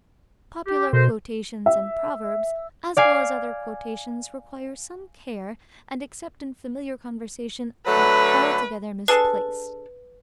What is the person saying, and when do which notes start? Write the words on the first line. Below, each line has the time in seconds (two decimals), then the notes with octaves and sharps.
Popular quotations and proverbs, as well as other quotations, require some care; and, except in familiar conversation, are altogether misplaced.
0.67 G4
0.93 B2 A4 A#4 C5
1.66 E5
2.97 D5 F5 G#5 C7
7.87 D3 F#3 A3 B4
9.08 D4 G#4 A4 B4